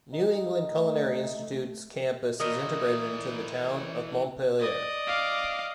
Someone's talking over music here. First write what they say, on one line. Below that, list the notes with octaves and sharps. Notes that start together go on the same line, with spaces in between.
New England Culinary Institute's campus is integrated into the town of Montpelier.
D#4
A3
A#2 E3 A3 A#4 D#5
D5 D#5
F5 D6